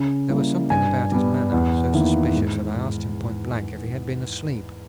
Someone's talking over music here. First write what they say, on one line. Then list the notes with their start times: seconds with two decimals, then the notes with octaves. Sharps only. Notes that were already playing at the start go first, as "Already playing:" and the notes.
There was something about his manner so suspicious that I asked him point blank if he had been asleep.
Already playing: C#3
0.30 G3 A#3 E4
0.70 G2 G#5
1.12 G3 B3
1.53 E2
1.93 D#3 A#3 E4
2.35 G#2